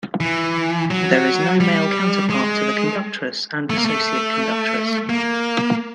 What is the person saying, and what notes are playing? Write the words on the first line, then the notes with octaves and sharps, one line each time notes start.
There is no male counterpart to the Conductress and Associate Conductress.
E3
F#3
G3
G#3
A3
A#3
A3
A#3